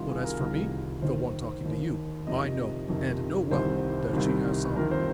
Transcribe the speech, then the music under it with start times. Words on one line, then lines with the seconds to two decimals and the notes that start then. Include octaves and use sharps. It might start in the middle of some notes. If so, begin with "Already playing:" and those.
But as for me--the one talking to you--I know, and know well, that she has some.
Already playing: C2 C3 D#3 F4
0.09 G#4
0.24 A#4
0.39 C2 C3 D#3
1.02 D#2 D#3 C5
1.64 D#2 D#3
2.27 F2 C3 D#3 D#5
2.89 F2 C3 D#3
3.51 C2 C3 D#3 C5
4.13 C2 C3 D#3
4.76 F2 C3 D#3 A#4
4.91 C5